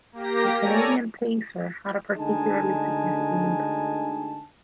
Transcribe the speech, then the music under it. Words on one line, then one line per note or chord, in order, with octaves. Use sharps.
The Canadian Pacer had a particularly significant impact.
A#3 G4 A#6
A4 C#5 D5 G#5 A#5
D2 D3 G#3 D#4 G#5 A5